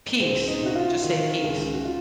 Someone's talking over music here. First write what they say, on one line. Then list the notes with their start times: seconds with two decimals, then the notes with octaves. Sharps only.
Peace, just say, peace.
0.20 C#2 C4
0.48 D#4
0.61 C3 F#4
0.76 F4
1.02 D#3
1.44 C#2
1.73 F#4
1.85 F4